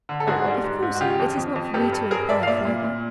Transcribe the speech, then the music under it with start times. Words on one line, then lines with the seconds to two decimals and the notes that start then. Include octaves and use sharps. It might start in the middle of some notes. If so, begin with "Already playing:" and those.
"Of course it is not for me to enquire further."
0.09 D3
0.20 A4
0.27 G#2 F#4 G#4
0.46 G3
0.64 G#2
0.82 G#2
0.95 F#4
1.01 C#3 F4 G4
1.19 F2
1.37 F2
1.56 F2
1.74 G2 G4 A4
1.93 G2
2.11 G2 G#4 A#4
2.29 G2 D5 E5
2.43 F5
2.47 A#2 D5 E5
2.65 A#2
2.84 A#2